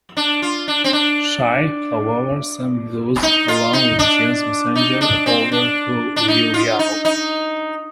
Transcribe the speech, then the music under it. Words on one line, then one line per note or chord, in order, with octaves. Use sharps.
Shi, however, sent those, along with Jin's messenger, over to Liu Yao.
D4
F4
D4
C4
D4
D#4
F4
D#4
D4
D#4
D4
C4
D4
D4
D#4
F4
D#4
D#4